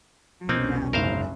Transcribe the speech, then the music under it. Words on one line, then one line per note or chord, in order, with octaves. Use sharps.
Mm, yeah.
F1 C2 B2 A#3 C4 C#4 D#4
F#1 G#2 A#4 C5 F5